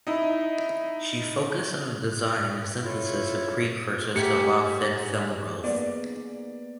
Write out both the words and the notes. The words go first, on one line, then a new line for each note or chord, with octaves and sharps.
She focussed on the design and synthesis of precursors to allow thin film growth.
D#4 E4
E4 F4 A4 C#5
G#2 A3 G4 G#6 B6 C#7
A#3 B3 D5